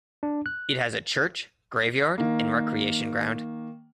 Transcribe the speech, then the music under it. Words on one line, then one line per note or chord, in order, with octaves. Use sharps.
It has a church, graveyard and recreation ground.
D4
F#6
D#3 A#3